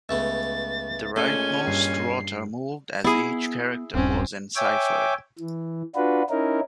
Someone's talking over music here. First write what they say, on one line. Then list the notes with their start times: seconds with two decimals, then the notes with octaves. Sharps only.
The rightmost rotor moved as each character was enciphered.
0.09 C#2 A3 B3 E5 A6
1.16 A#2 G#3 A3 C#4 A4 D5 G7
1.67 G2 C7
3.04 B3 E4 G#4
3.94 D#1 G2 C4 C#4
4.56 C#5 E5 G5 G#5 D6
5.39 E3
5.95 D4 F4 F#4 B4
6.30 C#4 D#4 E4 A#4